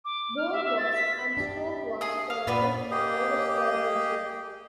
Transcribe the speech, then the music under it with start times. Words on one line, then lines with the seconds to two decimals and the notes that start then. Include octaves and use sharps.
Bore was and stroke was for a good oversquare ratio.
0.05 D6
0.37 F6
0.52 E5
0.64 E5
0.78 A6
0.95 B6
1.37 D4 G4
2.01 G#4 D#6
2.30 F5
2.47 A#2 B3 B4 D5
2.91 A#3 G4 G#4 D#5